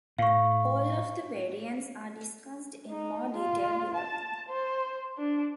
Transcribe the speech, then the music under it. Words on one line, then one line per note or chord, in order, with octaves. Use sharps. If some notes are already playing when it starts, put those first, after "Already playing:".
All of the variants are discussed in more detail below.
A2 F5 C#6
D#4
F4
A5
C5
D4